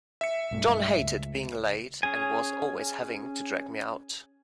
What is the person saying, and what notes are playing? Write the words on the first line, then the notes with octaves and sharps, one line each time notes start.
John hated being late, and was always having to drag me out.
E5 C#7
B1 G2 A3
C#2
C#4 G#4 G#5